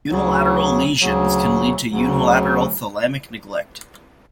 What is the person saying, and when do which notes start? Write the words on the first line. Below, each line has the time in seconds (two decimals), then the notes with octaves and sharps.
Unilateral lesions can lead to unilateral thalamic neglect.
0.09 D2 C#3 F#3
1.01 D2 C#3 F#3
1.91 D2 C#3 F#3